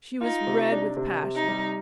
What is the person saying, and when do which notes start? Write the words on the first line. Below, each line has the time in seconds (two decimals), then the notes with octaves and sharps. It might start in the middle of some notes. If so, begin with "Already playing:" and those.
She was red with passion.
0.21 D#4 F4
0.47 C3
0.72 D4
0.97 C3
1.23 C3
1.35 D#4
1.48 G3